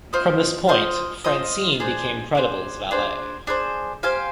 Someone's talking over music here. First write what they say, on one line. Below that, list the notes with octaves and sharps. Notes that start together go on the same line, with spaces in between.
From this point, Francine became Credible's valet.
F4 C5 D#5
F4 C5 D#5
F4 C5 D#5
D4 G#4 C5
D4 G#4 C5
D4 G#4 C5
D4 G#4 C5
G4 C5 F5 G#5